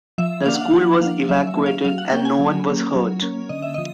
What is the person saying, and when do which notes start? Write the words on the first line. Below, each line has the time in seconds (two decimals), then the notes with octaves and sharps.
The school was evacuated and no one was hurt.
0.18 F3 E5
0.46 A#3 D4 F5
0.54 F#5
0.61 F5
0.73 F3 F#5
0.94 F#5
1.00 A#3 F5
1.05 D4
1.29 F#3 E5
1.47 E5
1.56 A#3 C#4
1.66 F5
1.85 F#3 F5
1.98 F#5
2.12 A#3 C#4 G5
2.25 G#5
2.39 F#3
2.67 A#3 C#4
2.94 F#3
3.22 A#3 C#4
3.49 D3 D#5
3.62 E5
3.74 F3 D#5